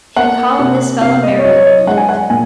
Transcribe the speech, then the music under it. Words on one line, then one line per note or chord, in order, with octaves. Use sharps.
He call him this fella Mary, Eve.
A#3 F#5
C3
C3 F5
D#5
C#5
F#3 D#5
C#5
D#5
G#3 F#5
G#5
F#5
A#2 G#5